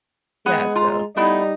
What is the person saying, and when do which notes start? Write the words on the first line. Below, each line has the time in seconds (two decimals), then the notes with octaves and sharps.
Yeah. So
0.46 G#3 B3 G#4 F#5
0.75 F4 A#5
1.17 G3 A3 B3 D#4 E4